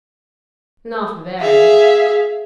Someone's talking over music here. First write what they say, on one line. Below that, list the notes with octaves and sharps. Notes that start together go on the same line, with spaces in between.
"Not very."
G#4 E5 F5